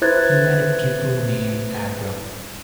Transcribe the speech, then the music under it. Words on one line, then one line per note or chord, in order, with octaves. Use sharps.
He had a pupil named Abron.
E4 B4 C5 F#6 G#6 A6